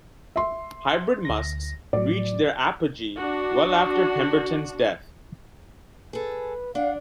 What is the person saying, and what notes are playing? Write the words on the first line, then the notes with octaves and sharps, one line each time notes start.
Hybrid Musks reached their apogee well after Pemberton's death.
E5 C6
D2 A#6
A2 F#3 D5
D4 F#4
G#4 A4 B4
D4 F5 F#5